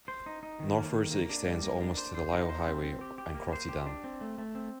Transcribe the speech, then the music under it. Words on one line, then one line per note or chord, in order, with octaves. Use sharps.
Northwards it extends almost to the Lyell Highway and Crotty Dam.
C5
D#4
D#4
D#3
A#3
D#3
A#3
D4
G3
A#3
D4
C5
C5
D#4
C5
C4
C4
G4
G4
A#3
C5
G4
D4
C4
A3
A3
C4